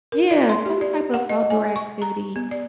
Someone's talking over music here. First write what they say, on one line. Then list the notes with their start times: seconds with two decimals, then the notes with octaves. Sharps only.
Yeah, some type of outdoor activity
0.12 A#4
0.31 D5
0.49 C6
0.65 G4
0.81 D5
1.14 F#5
1.29 D#5
1.50 G#5
1.76 C#6
2.02 A#5
2.36 B3
2.51 D5